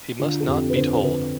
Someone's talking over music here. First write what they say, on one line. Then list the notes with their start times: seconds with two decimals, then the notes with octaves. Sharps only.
He must not be told.
0.20 D3 F4
0.40 A4
0.47 F2 G4
0.70 B4
0.76 D3 C5
0.95 C5
1.02 D3 B4